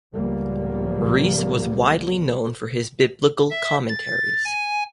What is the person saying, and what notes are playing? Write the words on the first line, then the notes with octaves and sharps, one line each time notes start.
Rees was widely known for his biblical commentaries.
C#2 A2 F3 G3 A#3 B3
E5
A6
G#5